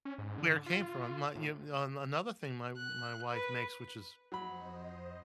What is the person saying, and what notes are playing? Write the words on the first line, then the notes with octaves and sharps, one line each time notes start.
Where it came from. My you on another thing my w my wife makes, which is
C#4
G#2
D3
F4
A2
F#6
B4
F2 F#3 C5 D#5 B5